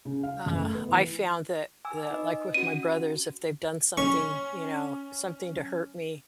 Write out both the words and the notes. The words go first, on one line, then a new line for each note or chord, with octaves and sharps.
uh, I found that that, like, with my brothers, if they've done something, you know, something to hurt me,
C#3
F5
F#1
A3
B3
E3
G#5 D6 E6
D#4 B4 D#5
C#4 F#4 D#7
C#4 C#6